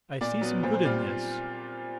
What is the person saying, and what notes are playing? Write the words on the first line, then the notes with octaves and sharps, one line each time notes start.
I see some good in this.
A#2 D5
F#3 B3
A#2 C5
C5
G3 C4 F4 D5